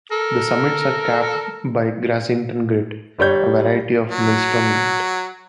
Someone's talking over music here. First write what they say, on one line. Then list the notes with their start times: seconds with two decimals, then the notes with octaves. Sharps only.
The summits are capped by Grassington Grit, a variety of Millstone Grit.
0.11 A4 A#4
3.19 G1 G3 C#5 G6
4.12 F#3